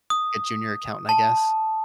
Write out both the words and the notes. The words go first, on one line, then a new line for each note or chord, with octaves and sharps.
a junior accountant, I guess,
D#6
A5